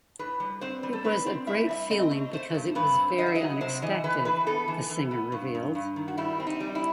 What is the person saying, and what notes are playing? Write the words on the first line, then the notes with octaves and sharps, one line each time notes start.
It was a great feeling because it was very unexpected, the singer revealed.
A2 B4
G3
C4 C5
G3
A4
C4 B4
C4
A2 E5
G3 E5
C4 D#5
A3
A3 C5
G2
G2 B4
C4
F#3 D#5
E5
F#3 D#5
C3 C5
E3 D#5
E3 B4
E3 B4
B3 A4
E3
E3
B3
G2
G2
G2
D#3
F#4
G3 E4
C4
D#4
G3
E4